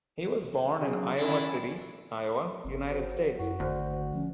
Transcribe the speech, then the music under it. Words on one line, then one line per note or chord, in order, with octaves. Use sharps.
He was born in Iowa City, Iowa, United States.
C#3 F#3
D#3 C#4 D4 E4
G1 C4
F#3 C5
F#2 E4 F#4
G#1 D2 C5
F3 C#4